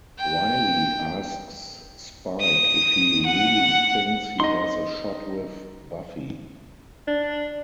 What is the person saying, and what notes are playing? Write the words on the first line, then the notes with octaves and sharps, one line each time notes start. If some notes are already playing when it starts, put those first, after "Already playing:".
Riley asks Spike if he really thinks he has a shot with Buffy.
G5
D#6
F#5
D#4 D#5 C6
D4